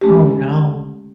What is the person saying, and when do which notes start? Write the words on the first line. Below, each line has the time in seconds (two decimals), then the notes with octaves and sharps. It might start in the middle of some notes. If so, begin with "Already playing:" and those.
Oh, no.
0.01 G#3 A3 C#4 G4